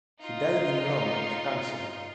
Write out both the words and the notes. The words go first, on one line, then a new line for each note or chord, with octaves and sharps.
He died in Rome of cancer.
D#4 F4